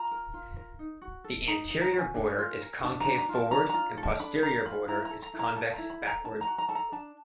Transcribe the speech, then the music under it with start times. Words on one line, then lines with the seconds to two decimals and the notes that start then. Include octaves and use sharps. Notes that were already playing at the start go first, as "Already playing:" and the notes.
The anterior border is concave forward and posterior border is convex backward.
Already playing: F4 A#5
0.11 A#4
0.34 F4
0.56 A#4
0.79 D#4
1.01 F#4
1.24 A4
1.47 D#4 A#5
1.70 D#4
1.81 A#5
1.93 F#4
1.98 G#5
2.16 D4
2.38 F4
2.61 A#4
2.83 D4 A5
3.01 A#5
3.06 D4
3.18 A#5
3.29 F4
3.35 A5
3.51 D4 A#5
3.69 A#5
3.74 F4
3.97 A4
4.03 A5
4.19 D4 B5
4.42 D4 A#5
4.65 F4 B5
4.88 E4 A#5
5.05 A#5
5.10 A4
5.22 A#5
5.34 E4
5.39 A#5
5.56 A4 A5
5.73 E4 A#5
5.90 B5
6.01 A4
6.07 A#5
6.24 D4 A5
6.41 A#5
6.47 F#4
6.58 A#5
6.69 A4 A5
6.75 A#5
6.92 D4 A5